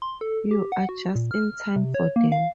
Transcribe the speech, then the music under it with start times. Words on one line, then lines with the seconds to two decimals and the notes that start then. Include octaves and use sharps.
You are just in time for them.
0.02 C6
0.21 A4
0.51 G4
0.72 F#5
0.89 F#4
1.15 A#2
1.31 F6
1.76 C3
1.94 C#5
2.16 A#3
2.32 F5